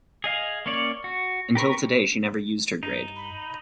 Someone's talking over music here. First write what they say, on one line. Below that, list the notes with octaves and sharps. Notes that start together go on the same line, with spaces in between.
Until today she never used her grade.
G#4 D#5 F5
A#3 C#4 C#5 D5
F#4
G4 A#4 B4 C#6
G2 D#4
B5